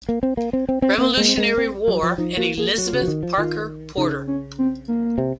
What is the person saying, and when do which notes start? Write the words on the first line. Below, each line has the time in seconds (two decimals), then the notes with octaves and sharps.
Revolutionary War, and Elizabeth Parker Porter.
0.09 A#3
0.23 C4
0.37 A#3
0.53 C4
0.69 C4
0.82 C4
0.98 A#3 C4
1.17 G#3 A#3
1.28 C4
1.38 G#3
1.58 C4
1.88 F#3
2.03 F3
2.18 F3 D#4
2.37 A#3 F#4
2.58 A#3 G#4
2.77 F#3 F#4
2.88 F4
2.93 C#3 F#4
3.01 F3
3.08 D#3
3.23 F3
3.38 D#3 F4
3.97 C#3 D#4
4.27 C#4
4.58 C4
4.88 A#3
5.18 C3